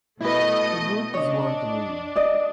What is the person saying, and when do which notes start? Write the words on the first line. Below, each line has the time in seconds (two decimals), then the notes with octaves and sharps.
The book is worth reading.
0.21 B2 A3 E4 B4 D#5
1.14 D4 C#5 D#5
2.16 D5 D#5